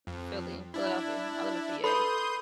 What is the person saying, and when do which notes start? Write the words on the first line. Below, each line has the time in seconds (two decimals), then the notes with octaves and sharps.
Philly, Philadelphia. I live in PA,
0.07 F2
0.74 D4 E4
1.84 A4 B4 B5 C6 D#6 G6